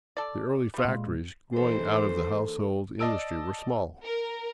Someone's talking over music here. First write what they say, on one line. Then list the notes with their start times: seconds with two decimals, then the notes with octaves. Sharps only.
The early factories growing out of the household industry were small.
0.17 A4 D5
0.74 G3 F4
0.85 A#2 G#3
1.56 E3 A#3 D#4 A4 C5
2.99 D5 D#5 A5 E6 D7
4.04 A#4